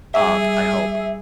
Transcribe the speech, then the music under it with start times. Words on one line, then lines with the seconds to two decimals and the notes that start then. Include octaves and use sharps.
um, I hope,
0.14 G3 G#4 E5